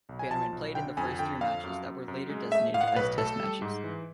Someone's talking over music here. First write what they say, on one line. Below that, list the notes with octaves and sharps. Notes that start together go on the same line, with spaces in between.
Bannerman played in the first three matches that were later designated as Test matches.
B1
G#5
F3 A5
B1
D3 G5
F2 G#5
D3 G5
F2 F5
F#2
F#2
F#2
G#3
A3 E5
A2 F5
F#5
F5
B1 B4
A3 A4
G3
G#2
E3